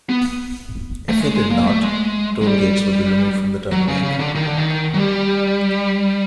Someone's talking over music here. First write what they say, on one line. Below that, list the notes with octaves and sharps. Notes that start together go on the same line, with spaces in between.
If they did not, tollgates would be removed from the turnpike.
B3
A3
G#3
G#3
A#3
A3
G#3
G#3
G3
F#3
C#3
C#3
D3
D#3
D3
D#3
F#3
G3